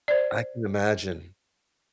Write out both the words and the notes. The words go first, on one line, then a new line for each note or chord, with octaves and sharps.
I can imagine.
C5 D5